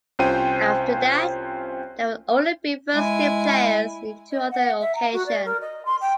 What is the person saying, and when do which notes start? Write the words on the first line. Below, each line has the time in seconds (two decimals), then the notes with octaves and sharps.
After that, they would only be first team players in two other occasions.
0.19 C2 C#4 F4 C5 G5 D#7
2.95 G#3 E4 G#5
4.31 D#5
4.51 F#5
4.81 E5
4.95 A#5
5.13 F#4
5.26 D5
5.45 A#4
5.61 D#5
5.85 C6
6.01 G5